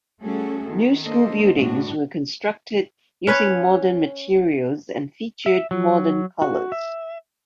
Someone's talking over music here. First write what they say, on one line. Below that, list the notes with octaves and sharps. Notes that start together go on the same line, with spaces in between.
New school buildings were constructed using modern materials and featured modern colours.
G3 A3 C#4 F#4 G#4 A4
D#3 B3
A#3 D4 A4 C5 D#5
A2 D4 F#4
C#4 B4 C#5
E5
F#3
F#4
E5